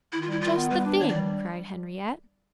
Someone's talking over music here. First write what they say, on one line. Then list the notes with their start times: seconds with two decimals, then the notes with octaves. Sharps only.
"Just the thing!" cried Henriette.
0.12 D#3 E4
0.22 F4
0.27 G3 E4
0.41 D#3 F4
0.57 B3
0.70 G3 B4
0.85 D4
1.00 D#3 C#5
1.08 D5
1.14 G3